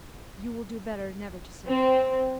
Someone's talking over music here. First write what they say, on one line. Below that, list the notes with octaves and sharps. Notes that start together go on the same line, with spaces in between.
"You will do better never to say it."
C4